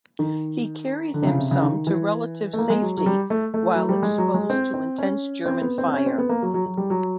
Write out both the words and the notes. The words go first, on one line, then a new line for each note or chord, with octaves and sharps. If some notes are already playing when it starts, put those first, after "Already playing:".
He carried him some to relative safety while exposed to intense German fire.
D#3
D3
C3
C#3
C3
C#3
D#3
E3
A3
A#3
G#3
F#3
F#3
G3
A3
A3
F#3
G3
G#3
F#3
G#3
C4
C4
C#4
C4
B3
C4
C4
C#4
C4
B3
A#3
F#3
F#3
F#3
G3
F#3